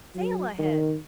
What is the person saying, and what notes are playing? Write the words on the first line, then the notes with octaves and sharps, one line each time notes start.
"Sail ahead!"
F#3
D#3